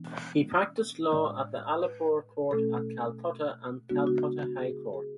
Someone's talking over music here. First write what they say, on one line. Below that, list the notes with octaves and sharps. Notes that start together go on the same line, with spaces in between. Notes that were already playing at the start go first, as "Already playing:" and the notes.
He practiced law at the Alipore Court at Calcutta and Calcutta High Court.
Already playing: E3 B3 D4
A2 G#3 D4 D5
B4
B2 A3 C#4 A4
C#3 G#3 B3 D4 F#4
F#4
F#4
G#4
G#4